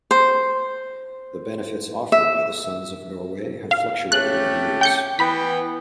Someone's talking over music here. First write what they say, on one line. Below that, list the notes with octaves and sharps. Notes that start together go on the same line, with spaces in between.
The benefits offered by the Sons of Norway have fluctuated over the years.
C5
E5
F5
A3 C#4 G4 F#6
G5 G6 C#7
E3 B3 G5 B5 B6